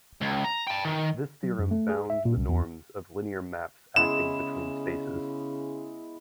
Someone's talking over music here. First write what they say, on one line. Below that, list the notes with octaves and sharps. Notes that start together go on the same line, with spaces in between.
This theorem bounds the norms of linear maps acting between spaces.
C#2
A#5
G5 A5
D#3
F#3
F#2
A3
G#4
E5
A#2
C2
E2
C#3 G#3 B3 E4 E7